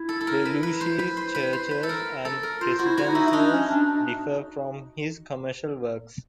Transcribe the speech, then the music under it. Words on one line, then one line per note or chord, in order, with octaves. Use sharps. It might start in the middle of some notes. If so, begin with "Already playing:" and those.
Belluschi's churches and residences differed from his commercial works.
Already playing: E4
A4
A4
A#4
B4
B4
C5
B4
C5
B4
C5
B4
A4
A#4
A4
A#4
F4 C5
F4 F#4
E4
F#4
E4
D#4
E4
E4
D4 D#4
C#4
D4
D4